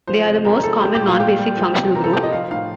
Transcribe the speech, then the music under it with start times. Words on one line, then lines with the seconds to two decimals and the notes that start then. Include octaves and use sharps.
They are the most common non-basic functional group.
0.07 F3 C5
0.26 C3
0.45 C3 A#4
0.55 A#4
0.63 F3 A4
0.82 G3 G4
0.95 G4
1.00 A#2
1.07 F4
1.20 A#2 G4
1.39 G3
1.57 F3
1.76 C3
1.95 C3 A#4
2.04 A4
2.13 F3 G4
2.23 D#5
2.32 F3 F5
2.51 A2 F5